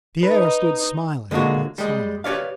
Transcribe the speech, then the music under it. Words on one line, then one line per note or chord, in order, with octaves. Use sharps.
Pierre stood smiling but silent.
D#4 B4
D3 G#3 A#3 F4 F#4
G3 G#3
G4 B4 C#5 D5 F5